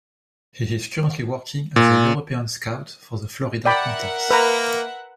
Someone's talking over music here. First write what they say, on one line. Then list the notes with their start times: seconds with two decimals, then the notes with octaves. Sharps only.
He is currently working as a European scout for the Florida Panthers.
1.76 A#2
3.65 A#4 D5 E5 F#5 G5 B5
4.31 A#3 B4 A#5